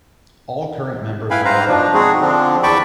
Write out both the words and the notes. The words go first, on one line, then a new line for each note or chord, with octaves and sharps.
All current members are Navajo.
E4 B4 F5 G5 G#5 B5
G#2 B4 C5 F5 A#5
B2 F3 D4
G#3 C4 D#4 F#4 G#4
D3 F3 C4 D4
E2 G5 A5 B5 C#6 D6